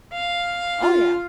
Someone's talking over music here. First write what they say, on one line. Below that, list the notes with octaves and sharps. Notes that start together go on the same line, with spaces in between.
Oh yeah,
F5
F4